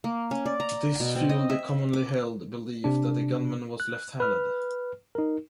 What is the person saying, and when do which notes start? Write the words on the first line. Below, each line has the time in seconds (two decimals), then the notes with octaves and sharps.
This fueled the commonly-held belief that the gunman was left-handed.
0.04 A#3
0.31 C#4
0.46 D5
0.60 A#5
1.00 B2
1.15 C4
1.29 D#5
1.50 E5
1.93 D6
2.84 C3 D4
3.80 F#6
4.20 B4 F6
5.15 D#4 A#4